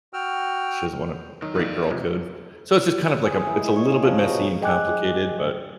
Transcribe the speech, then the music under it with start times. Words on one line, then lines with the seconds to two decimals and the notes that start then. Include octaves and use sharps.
She doesn't wanna break girl code. So it's just kind of like a it's a little bit messy and complicated, but,
0.13 F#4 G5 E6 F6
1.42 D#3 F#3
1.56 D#3 E3 B3 B4 D5
1.90 C3 F3 G#3
3.23 G#4
3.35 G#4
3.47 E4
3.59 G#3
3.76 C#5
3.90 F5
4.03 F3
4.18 A#5
4.31 B2
4.61 G#4 D#5 G5 G#5 D6 F#6